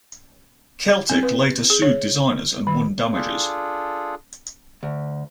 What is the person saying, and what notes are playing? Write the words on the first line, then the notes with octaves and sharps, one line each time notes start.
Celtic later sued the designers and won damages.
C4
B4
G#4
C#5
D#3
D4 F4 G#4 A4
D2